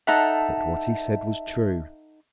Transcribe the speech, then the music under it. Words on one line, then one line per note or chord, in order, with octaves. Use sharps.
Yet what he said was true.
D#4 A4 E5 F#5 A5